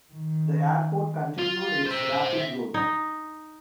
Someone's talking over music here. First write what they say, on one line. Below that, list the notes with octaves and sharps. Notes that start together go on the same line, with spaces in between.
The airport continued its rapid growth.
D#3
F4
C5 E5
D#4